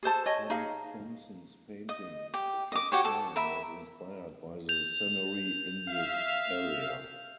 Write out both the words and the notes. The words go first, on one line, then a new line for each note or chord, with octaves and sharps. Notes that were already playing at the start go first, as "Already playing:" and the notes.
Tom Thomson's painting, "The Jack Pine", was inspired by the scenery in this area.
G#4 A4 C5 A5
C#5 D#5 G#5
D#4 G#4 F5
D#5
G4
D#5 D6
F#4 G4 C#5
A4
A#4 E5 B5
G6 F7
E5 F5